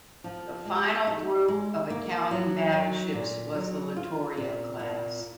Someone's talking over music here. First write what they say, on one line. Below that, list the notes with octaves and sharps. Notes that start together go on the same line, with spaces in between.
The final group of Italian battleships was the "Littorio" class.
F3
G#3
D#4
G#3
A#3
F#3
F#3
A#2
F#3
F4
A#2
A#2